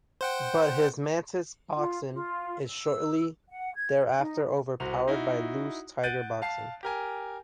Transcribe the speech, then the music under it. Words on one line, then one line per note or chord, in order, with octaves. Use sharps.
But his Mantis boxing is shortly thereafter overpowered by Lu's Tiger boxing.
C5 F#5 G5
F4
F4
E6
F#5
G#6
D#4
C2 C4 F#4 F7
D#4 E4 F#4
F#5 F#6 G6 A6 D7 D#7
F5 A5 C7
G4 A#4 G#5